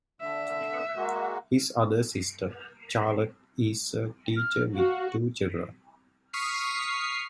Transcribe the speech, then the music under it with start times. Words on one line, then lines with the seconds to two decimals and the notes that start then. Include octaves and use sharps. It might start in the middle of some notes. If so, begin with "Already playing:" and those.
His other sister, Charlotte, is a teacher with two children.
0.21 D3 E5
0.97 G#3 A#3 F#4
4.37 F6
4.75 F#4 F5
6.33 C#6 D#6 F6 B6 C7